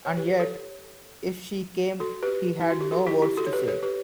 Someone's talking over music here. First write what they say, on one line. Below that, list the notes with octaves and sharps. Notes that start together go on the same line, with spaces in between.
And yet if she came he had no words to say.
C#5
G4 B4
A4 C#5
F#4 A4
G4 B4
E4
F#4
G4
F#4 A4
E4 G4
E4 G4
F#4 A4
C#5
G4 B4
A4 C#5
G4 B4